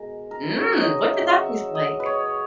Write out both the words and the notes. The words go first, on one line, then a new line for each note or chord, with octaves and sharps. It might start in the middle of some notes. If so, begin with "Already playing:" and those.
Mm! What did that taste like?
Already playing: B2 G#3 A#4
A#4
B4
C#3 F#3 C#5
D#5
E5
F#5
F#5
E5
D#5
B4
C#5